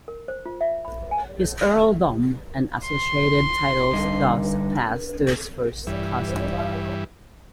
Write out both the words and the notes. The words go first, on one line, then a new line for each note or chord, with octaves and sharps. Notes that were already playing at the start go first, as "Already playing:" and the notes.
His earldom and associated titles thus passed to his first cousin.
A#4
C5
F4
E5
B5
G#5
C6
G2 D3 D#4
G2 E3